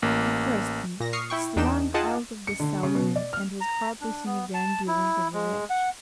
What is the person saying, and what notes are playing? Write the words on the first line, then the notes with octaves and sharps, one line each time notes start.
He cursed me, slunk out of the saloon, and was hardly seen again during the voyage.
A1 A#3
A#2 A#6
C#6 D#6 F6 C7 C#7
E4 G5 C#6
E2 D4 D#4 G5 E7
F4 G#4 D#5 F#5 G5 A5
C#7
D3
C#3
B2
D5
F6
A#5
D4
B3
A5
E4
G#3
F#5